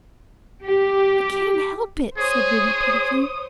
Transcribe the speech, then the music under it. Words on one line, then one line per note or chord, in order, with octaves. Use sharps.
"I can't help it," said Ruby pitifully.
G4
G#4 C5 C#5 D#6